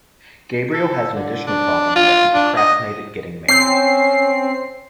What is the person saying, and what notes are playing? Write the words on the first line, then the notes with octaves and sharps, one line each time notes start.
Gabriel has an additional problem in that he procrastinated getting married.
A4
D3
D4
F4
D4
D#5
C4 C#4 C7